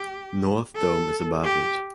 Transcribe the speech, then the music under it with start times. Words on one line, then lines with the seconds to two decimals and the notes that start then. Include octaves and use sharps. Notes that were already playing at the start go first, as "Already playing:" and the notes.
North Dome is above it.
Already playing: G4
0.75 A4
1.44 G4